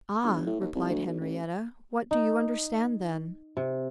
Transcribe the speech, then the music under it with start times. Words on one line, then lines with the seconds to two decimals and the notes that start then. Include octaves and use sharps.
"Ah!" replied Henrietta, "what do you understand, then?"
0.23 G1
0.46 A2
0.61 D#2
0.75 C2
0.90 D2
1.06 B1
1.20 A1
2.11 D#4
3.57 C3